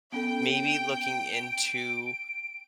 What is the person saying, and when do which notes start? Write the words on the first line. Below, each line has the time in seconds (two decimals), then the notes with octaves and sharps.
maybe looking into
0.12 B3 C#4 A4 G5 D7